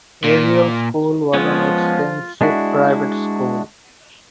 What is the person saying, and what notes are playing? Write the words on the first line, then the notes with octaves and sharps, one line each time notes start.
Ariel School was an expensive private school.
A#2
F3 G#3 B3 C#4 F4
G#3 D4 E4 F#4